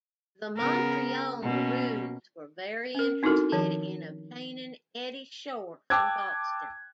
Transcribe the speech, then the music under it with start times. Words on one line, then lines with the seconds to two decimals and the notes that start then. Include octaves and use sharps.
The Montreal Maroons were very interested in obtaining Eddie Shore from Boston.
0.57 C#3 B3 A#4
1.42 B2 A#3 C#4
2.95 C#4 A#4
3.23 C4 D#4 E4 F#4 A4 A#4
3.52 D#3 F3
5.90 G5 A5 D6 E6 F#6 G#6